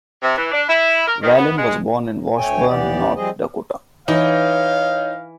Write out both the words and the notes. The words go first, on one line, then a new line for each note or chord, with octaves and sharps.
Wallin was born in Washburn, North Dakota.
C3
E3
D4
E4
A#4
D#3
B3
G#3
D2 A3 C#5 G5 G#5
D#2 E3 B3 G4 D5
F3 G3 C4 G#4 C5 D#5
E3 D#4 C#5 F5